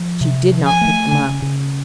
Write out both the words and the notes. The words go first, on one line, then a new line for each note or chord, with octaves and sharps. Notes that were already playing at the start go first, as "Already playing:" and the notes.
She did not pick them up.
Already playing: F3
C3
F3
G#5
A3
C#3
C#3